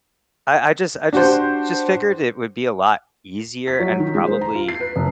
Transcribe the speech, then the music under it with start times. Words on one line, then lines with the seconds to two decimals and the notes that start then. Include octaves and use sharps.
I I just I just just figured it would be a lot easier and, probably,
1.13 D4 F#4 G4 C5
3.68 B6
3.80 F#3
4.00 D#3
4.15 G#3
4.27 C5
4.41 A#5
4.55 F4
4.68 C7
4.80 B4
4.96 F#1